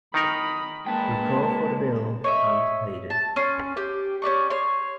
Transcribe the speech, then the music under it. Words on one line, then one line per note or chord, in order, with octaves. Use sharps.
He called for the bill and paid it.
D#3 D#4 A#4 B5 D#6
G#3 A#3 B4 G5 A5
C#5 D#5 E5
A5
C#4 C6
G4
C#4 G4 D5 C#6
C#5 C6